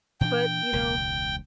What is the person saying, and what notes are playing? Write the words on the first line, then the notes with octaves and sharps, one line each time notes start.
But, you know,
A#2 E3 D4 G5
E1 C#2 B2